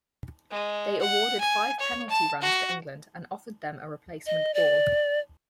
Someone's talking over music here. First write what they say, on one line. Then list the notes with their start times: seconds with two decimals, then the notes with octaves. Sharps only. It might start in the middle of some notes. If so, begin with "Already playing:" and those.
They awarded five penalty runs to England and offered them a replacement ball.
0.51 G#3
1.00 F#5
1.40 G#5
1.80 C#5
2.09 A5
2.42 F#4
4.26 D#5
4.54 D5